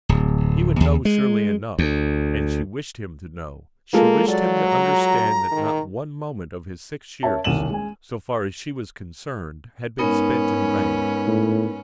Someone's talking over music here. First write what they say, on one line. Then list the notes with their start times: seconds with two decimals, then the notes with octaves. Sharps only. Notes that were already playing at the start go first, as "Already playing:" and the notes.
He would know surely enough, and she wished him to know; she wished him to understand that not one moment of his six years, so far as she was concerned, had been spent in vain.
0.09 D1
0.80 D#2
1.05 G#3
1.79 D2
3.93 G#3 A#3 F4 A4
4.28 F#3 D5
4.64 A#5
5.52 D#3
7.23 A#4 C#5 E5 A5
7.44 D#1 C2 D#7 E7 F#7
7.70 G#3 G#5
9.98 G#2 B3 C#4 D#4 A#4 B4
11.27 A2